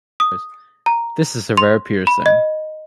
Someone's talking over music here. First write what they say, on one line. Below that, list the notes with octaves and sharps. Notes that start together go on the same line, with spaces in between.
This is a rare piercing.
D#6
A#5
C6
B5
D#5